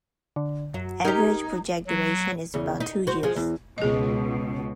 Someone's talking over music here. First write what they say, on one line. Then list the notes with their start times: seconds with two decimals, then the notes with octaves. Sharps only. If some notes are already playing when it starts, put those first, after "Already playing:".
Average project duration is about two years.
0.36 D3
0.74 F#2 F#3
1.05 D#4 G4 A#4 G#6
1.87 F#3
2.54 E2 C#3
2.80 D#4
3.07 F#4 C5
3.23 F3 G#3
3.36 E2
3.78 C#2 B2 G#4 D#5